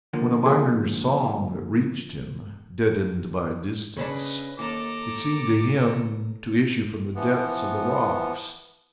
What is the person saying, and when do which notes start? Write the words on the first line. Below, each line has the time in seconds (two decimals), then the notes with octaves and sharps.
When a miner's song reached him, deadened by distance, it seemed to him to issue from the depths of the rocks.
0.13 D3 F3 A#3
0.46 G#4
3.97 C#3 C#4 D4 B4 D#5
4.59 D#2 A4 A#5 D6
7.15 E3 F3 B3